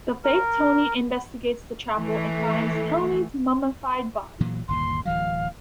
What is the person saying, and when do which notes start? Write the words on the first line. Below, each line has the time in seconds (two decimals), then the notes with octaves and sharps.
The fake Tony investigates the chapel, and finds Tony's mummified body.
0.24 A#4
1.97 E3 A3
4.40 A#2 E3 F#3
4.68 G1 D#2 A#2 C6
5.05 D1 E3 F#3 F5